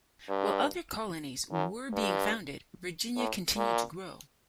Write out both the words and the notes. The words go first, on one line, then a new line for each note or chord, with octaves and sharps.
While other colonies were being founded, Virginia continued to grow.
G2
F#2
G2
A2
A#2